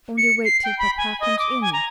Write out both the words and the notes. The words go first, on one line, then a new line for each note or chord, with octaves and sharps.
'Only wait till papa comes in.
C#7
C7
G5
B5
G#5
D#5
D6
G#5
A#5